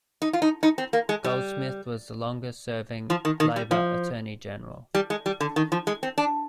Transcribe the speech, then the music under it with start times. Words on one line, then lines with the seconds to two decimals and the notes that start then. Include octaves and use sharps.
Goldsmith was the longest serving Labour Attorney General.
0.22 D#4
0.33 F4
0.42 D#4
0.63 D#4
0.78 C4
0.93 A#3
1.09 G#3
1.24 G3
3.10 F3
3.25 D#3
3.40 D#3
3.56 G3
3.71 F3
4.95 G3
5.10 G#3
5.26 G3
5.40 D3
5.56 D#3
5.72 F3
5.87 G#3
6.03 C4
6.18 D4